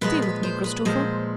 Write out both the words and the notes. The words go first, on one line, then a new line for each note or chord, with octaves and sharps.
Stay with me, Christopher.
A#2 F3 G#3 B3 B4
B4
C5
B4
A#2 F3 G#3 B3 C5